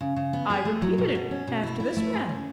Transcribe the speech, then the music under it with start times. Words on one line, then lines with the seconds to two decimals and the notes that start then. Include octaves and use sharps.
'I repeated it, after this man.'
0.01 C#3
0.16 C#3
0.33 B3
0.50 G#4
0.65 A3
0.82 F#3
0.98 B2
1.15 B2
1.31 C#4
1.47 B2
1.63 E4
1.80 E4
1.97 A3
2.13 G#2
2.29 C#4